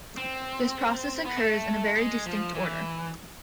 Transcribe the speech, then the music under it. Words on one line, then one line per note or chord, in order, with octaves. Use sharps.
This process occurs in a very distinct order.
C4
B3
A3
G#3
F3
E3